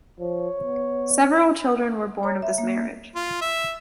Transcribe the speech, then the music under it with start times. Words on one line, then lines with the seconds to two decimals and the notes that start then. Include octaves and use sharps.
Several children were born of this marriage.
0.20 F3 C#5
0.62 B3
2.23 C#5 A#5
2.42 E5
2.58 A#3
3.16 F4
3.41 E5